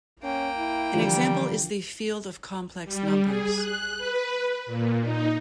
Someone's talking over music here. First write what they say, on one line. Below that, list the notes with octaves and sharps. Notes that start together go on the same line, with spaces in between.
An example is the field of complex numbers.
A#3 C#4 G5
E4
D3 E3 F3 G3
G3
G#4
F#6
B4
A#2
D#4